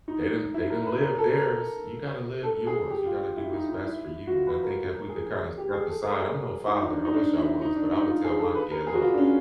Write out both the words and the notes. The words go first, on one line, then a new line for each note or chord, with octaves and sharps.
They didn't they didn't live theirs. You gotta live yours. You gotta do what's best for you, and I think if we could kinda step aside I'm no father. I wish I was, but I would tell my kid, "Look,
D#4
E4
A#4
B4
A#4
A4
A#4
A4
G#4
G4
F4
E4
D#4
D#4
E4
E4
F#4
F4
B4
A#4
A#4
G#4
G#4
G4
G#4
A4
A#4
G#4
D#4
D#4
D4
D#4
D4
E4
D#4
D4
D#4
F4
G#4
A4
B4
A#4
G#4
F#4
F4
D4
C#4